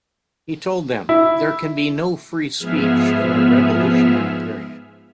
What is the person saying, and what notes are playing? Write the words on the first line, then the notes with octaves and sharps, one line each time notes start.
He told them: There can be no free speech in a revolutionary period.
E4
G#2 F3 B3 G#4 E5 F6